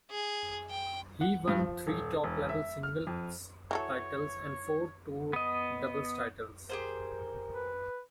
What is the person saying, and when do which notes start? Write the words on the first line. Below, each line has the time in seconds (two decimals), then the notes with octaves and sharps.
He won three top-level singles titles and four tour doubles titles.
0.11 G#4
0.70 G5
1.21 F#5
1.48 G2
1.59 F3
1.87 D#1
2.24 E1
2.49 E5
2.83 F6
3.07 F2
3.71 E3 F#3 A4 C#5
5.33 B3 D#5
6.70 G4 G#4 A#4 C5
7.55 B4